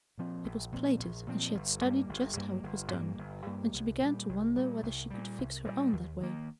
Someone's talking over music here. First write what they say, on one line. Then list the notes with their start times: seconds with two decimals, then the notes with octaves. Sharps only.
It was plaited and she had studied just how it was done and she began to wonder whether she could fix her own that way.
0.18 A#2 F3 C4
0.44 A#1
0.72 A#2 F3 C4
1.00 A#1
1.27 A#2 F3 C4
1.55 G1
1.82 G2 G3 A#3
2.09 G1
2.36 G2 G3 A#3
2.63 G1
2.91 G2 G3 A#3
3.18 G1
3.46 G2 G3 A#3
3.74 C2
4.01 A#2 G3
4.29 C2
4.56 A#2 G3
4.83 C2
5.10 A#2 G3
5.38 C2
5.65 A#2 G3
5.93 D#2
6.21 D#3 A#3